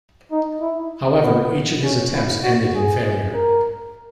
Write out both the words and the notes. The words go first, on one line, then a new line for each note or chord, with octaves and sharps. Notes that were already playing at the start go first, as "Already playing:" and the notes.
However, each of his attempts ended in failure.
D#4
E4
B3
C#4
E4
F#4
G#4
A#4